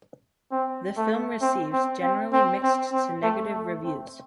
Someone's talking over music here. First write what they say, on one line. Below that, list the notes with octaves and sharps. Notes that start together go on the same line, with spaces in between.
The film received generally mixed to negative reviews.
C4
A3
C4
C4
C4
C4
C4
C4
A3
A3
C4